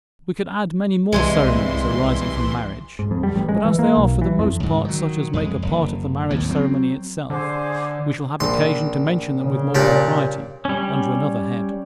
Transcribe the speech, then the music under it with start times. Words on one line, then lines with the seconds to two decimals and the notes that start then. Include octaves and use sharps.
We could add many more ceremonies arising from marriage, but as they are for the most part such as make a part of the marriage ceremony itself, we shall have occasion to mention them with more propriety under another head.
1.12 C2 G2 C3 E3 G#3 C6
2.99 G#2
3.11 F2
3.23 G3
3.36 A1
3.49 G#3
3.65 E3
3.79 A#3
3.97 B1
4.22 E3
4.39 F2
4.60 C#2 G#2
4.85 D#3 F#3
5.33 F2 G#3
5.62 F#1
6.30 G#1 D#2 A2
6.49 F#3 C4
7.30 D3 G#4 C5 D6
8.40 A#1 C6
9.42 C#3
9.75 A#2 D4 G4
10.65 G3 C#4